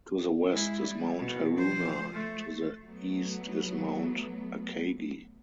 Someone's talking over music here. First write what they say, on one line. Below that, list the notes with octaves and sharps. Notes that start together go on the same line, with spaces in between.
To the west is Mount Haruna, and to the east is Mount Akagi.
G#3 E4
G3
B2
F3 C5
A3
F#3 A3 B3